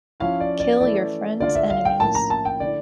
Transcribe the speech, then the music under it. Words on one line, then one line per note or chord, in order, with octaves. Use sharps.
Kill your friends' enemies.
F3 C#4 E4 F5
D5
D5
E3 A3 C#4 E4 D5
D3 A3 D4 F4 D5
E5
F5
G5
A2 F3 A#3 C#4 A5
A#5
A5
G5
D3 A3 E4 D5